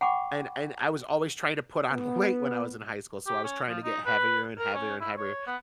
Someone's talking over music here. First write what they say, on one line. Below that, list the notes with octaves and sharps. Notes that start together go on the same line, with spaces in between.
and and I was always trying to put on weight when I was in high school, so I was trying to get heavier and heavier and heavier,
F#5 G5 B5 C#6 D6
B3
G4
C#4
F3
D#4
B4
A#4
C#4
E4
C#5
B3